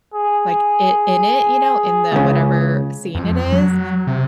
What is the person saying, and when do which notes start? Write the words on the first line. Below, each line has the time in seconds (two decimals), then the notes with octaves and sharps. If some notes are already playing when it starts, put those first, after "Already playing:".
like, it in it, you know, in the whatever scene it is,
0.14 G#4
2.12 C#2 C#3
3.15 F2
3.52 F#3
4.07 C3